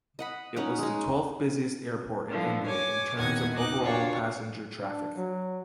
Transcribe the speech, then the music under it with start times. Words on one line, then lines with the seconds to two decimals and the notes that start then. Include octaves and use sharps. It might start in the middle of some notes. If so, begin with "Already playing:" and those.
It was the twelfth-busiest airport in India in terms of overall passenger traffic.
0.19 D#5 F#5 B5
0.56 C#4 D#4 F#5
0.79 G#3 D#4
2.28 D3 E3 F3
2.65 C#5 G#5 D6
3.15 E2 A#2 D#3 F#5 G#5 G#6
3.54 D#4 D6 F#6
3.83 D4 F4 F#4 C#5 D5
4.81 D4
5.16 F#3